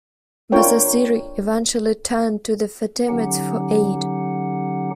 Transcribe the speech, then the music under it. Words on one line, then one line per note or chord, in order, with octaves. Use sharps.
Basasiri eventually turned to the Fatimids for aid.
D4 F4 A#4 C#5 G5
D3 F#3 C#4 D#4 G4 F#5